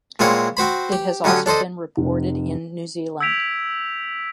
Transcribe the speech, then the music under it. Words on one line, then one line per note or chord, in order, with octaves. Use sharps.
It has also been reported in New Zealand.
A#2 G#3 C4 E4 C#5 F#5
C4 F#4 C5 B5
G4
D3 F#3 C#4 G4 D#6
D4 A4 C5 D#5
F1
E6 G6 G#6 B6 D7 F7